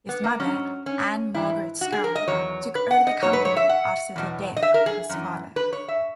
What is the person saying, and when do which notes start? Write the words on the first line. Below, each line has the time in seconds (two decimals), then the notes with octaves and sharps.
His mother Ane-Margrethe Skou took over the company after the death of his father.
0.09 B3
0.24 A#3
0.40 G#2 D#3 F#3 C#4
0.86 C#4
1.34 G#2 E3 E4
1.81 F#4
1.92 G#4
2.04 A#4
2.16 D#5
2.28 E2 D#3 F#3 C#5
2.75 B4
2.91 F#5
3.07 D#5
3.22 G#2 F#3 C#5
3.33 B4
3.45 C#5
3.57 E5
3.69 F#5
4.16 E2 B2 F#3
4.57 D#5
4.63 E5
4.74 A#4
4.86 G#4
5.10 F#2 E3
5.56 B4
5.73 C#5
5.88 E5